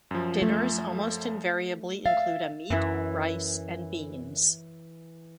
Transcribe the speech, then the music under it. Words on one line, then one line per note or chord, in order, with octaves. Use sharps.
Dinners almost invariably include a meat, rice and beans.
F#2 F3
A3
E5 F5 A6
F#2 E3 E4